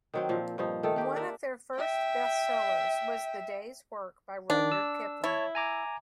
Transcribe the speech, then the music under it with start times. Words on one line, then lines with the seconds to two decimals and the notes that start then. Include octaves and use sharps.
One of their first bestsellers was "The Day's Work" by Rudyard Kipling.
0.14 D#3 F#3 C4
0.29 A#2 F3
0.58 G2 F3 D#4
0.83 D#3 A3 A4
0.96 A#3 G4
1.16 D4 A#4 E5
1.79 E5 G5
4.50 D#3 D4
4.72 E6
5.24 E4 C#5 A5
5.55 G#5 A#5 D6